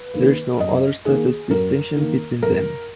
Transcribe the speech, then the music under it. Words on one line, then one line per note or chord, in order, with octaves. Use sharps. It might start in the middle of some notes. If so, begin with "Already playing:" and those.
There is no other status distinction between them.
Already playing: B4
D#3 A#3
F#2 D#5
D#3 A#3 G#4
F#2 A#4
D#3 A#3
F#2 A#4